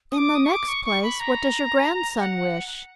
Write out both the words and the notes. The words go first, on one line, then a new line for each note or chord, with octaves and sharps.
"In the next place, what does your grandson wish?"
D#6
D6
D#6
C#6
D6
C#6
C#6
B5
A#5
F#5